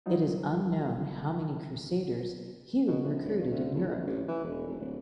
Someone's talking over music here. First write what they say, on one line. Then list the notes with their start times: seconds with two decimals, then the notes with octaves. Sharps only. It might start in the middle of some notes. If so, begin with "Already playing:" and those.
It is unknown how many crusaders Hugh recruited in Europe.
0.06 F#3 G3 D#4 F4
2.87 B2
3.04 A#1
3.25 D1
3.39 G2
3.50 D2
3.74 F1
3.88 A#1
4.07 A1
4.28 E3
4.44 E1
4.67 F1
4.80 D1